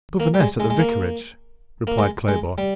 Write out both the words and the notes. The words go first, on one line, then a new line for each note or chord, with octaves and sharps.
"Governess at the vicarage," replied Claybourne.
A#3
G3
G#3
G#3
G#3
A#3
A#3
G#3
G#3
G3